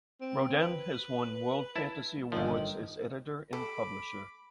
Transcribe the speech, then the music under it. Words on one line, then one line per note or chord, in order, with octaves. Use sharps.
Roden has won World Fantasy Awards as editor and publisher.
C4
B4
E4 A5
G1 D#3 F3
A4 B5 D6